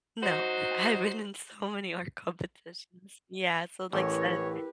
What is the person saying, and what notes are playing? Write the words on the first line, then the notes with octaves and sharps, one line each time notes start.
No. I've been in so many art competitions. Yeah, so, like, said
F#3 D#4 F#4 C5
A1 E4 G4 A#4 B4 C#5